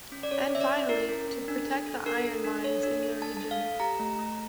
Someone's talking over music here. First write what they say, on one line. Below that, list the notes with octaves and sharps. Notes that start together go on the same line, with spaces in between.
And finally, to protect the iron mines in the region.
C#4
D5
C#4 C#5
C#4 E5
D5
C#4
E4 A#4
C#4
C#4
D4
A4
A4
D4 A#4
A4
D4
A4 C#5
D4
A4
D4 A5
A4 A5
F5
A4
G4 A#5
A3
A3